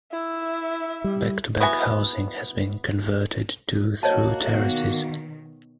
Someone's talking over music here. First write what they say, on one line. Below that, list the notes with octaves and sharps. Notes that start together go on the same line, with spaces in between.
Back-to-back housing has been converted to through terraces.
E4 E5
G3
B3 E4 F#4 G#5
A#3 F#4 C#5 D#5 A5
B2 D#3